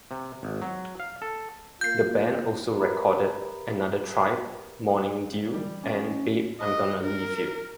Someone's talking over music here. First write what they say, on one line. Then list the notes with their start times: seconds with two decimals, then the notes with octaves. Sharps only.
The band also recorded "Another Tribe", "Morning Dew", and "Babe I'm Gonna Leave You".
0.11 C3
0.43 G#1
0.62 F#3
1.00 F5
1.22 A4
1.81 A#3 F4 G6 C7
2.77 G4 A#4 B4 E5 A#5 B5
5.53 G3
5.83 C#4
6.60 D#5
7.03 A#4